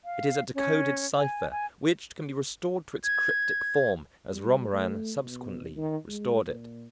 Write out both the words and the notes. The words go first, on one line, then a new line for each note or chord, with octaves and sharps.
It is a decoded cipher, which can be restored to its cryptic form as Romarin subsequently restored it.
F5
C#4
G#5
G#5
G#6
G3
A3
B2
D#3
G#3
A#2